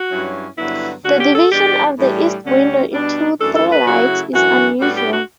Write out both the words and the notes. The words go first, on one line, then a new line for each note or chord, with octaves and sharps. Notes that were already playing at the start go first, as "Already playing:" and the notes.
The division of the east window into three lights is unusual.
Already playing: F#4
G2 F#3 C#4 E4
G2 D3 F#3 B3 E4
D2 D3 G3 C#4 F#4
G4
A4
E2 B2 G3 D4 G4
A2 E3 G3 D4
D2 D3 G3 C#4
B2 G3 D4
F#2 E3 A3 D4 A4
A4
B4
C#3 F#3 A3 E4 F#4
F#2 E3 A3 D4 F#4
A2 G3 B3 D4 F#4
G4
F#4